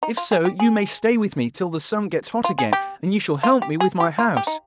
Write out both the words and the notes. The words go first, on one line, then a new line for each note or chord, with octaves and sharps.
If so you may stay with me till the sun gets hot again, and you shall help me with my house.
D#4
F4
G#4
G4
G#4
F4
G#4
G4
F4
G4
G#4
G4
F4
G4
D#4